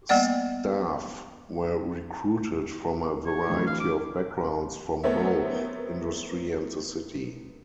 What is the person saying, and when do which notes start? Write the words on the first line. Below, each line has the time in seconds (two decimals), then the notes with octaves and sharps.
Staff were recruited from a variety of backgrounds from both industry and the City.
0.09 G3 A#3 B3 D5 F#5
3.26 C#5
3.49 D1 E3 A3
3.67 F5
3.80 D6
5.04 A3 B3 C4 A#4 C#5 E5